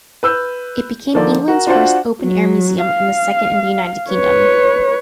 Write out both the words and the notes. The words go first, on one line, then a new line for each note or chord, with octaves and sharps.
It became England's first open-air museum and the second in the United Kingdom.
B4 E6 G6
D3 D#3 F3 A#3 A4 D5
F#4 A#4
D4 F4 F#4 C5 D5 F#5
F#3
F5
B4 C#5